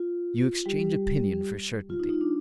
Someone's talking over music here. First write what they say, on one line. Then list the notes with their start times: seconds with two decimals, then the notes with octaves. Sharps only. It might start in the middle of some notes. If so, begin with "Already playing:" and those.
You exchange opinion for certainty.
Already playing: F4
0.66 G3 G4
1.90 F4
1.99 D#4
2.10 D#4
2.21 D4